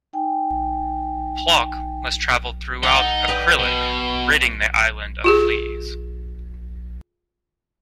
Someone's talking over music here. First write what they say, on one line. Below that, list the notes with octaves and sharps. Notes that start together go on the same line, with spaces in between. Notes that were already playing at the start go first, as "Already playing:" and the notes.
Plok must travel throughout Akrillic, ridding the island of fleas.
D#4 G5 G#5
D#4 A4 F#5
B4 D#5 G5
B2
F4 G4 G#4